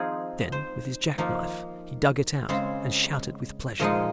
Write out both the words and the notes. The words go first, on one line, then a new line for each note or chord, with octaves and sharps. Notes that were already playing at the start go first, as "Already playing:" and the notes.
Then with his jack-knife he dug it out and shouted with pleasure.
Already playing: F3 C4 D#4 G#4
C5
F3 A#3 D#4
C#3 G#3 C4 C5
A#2 F3 G#3 D#4 D#5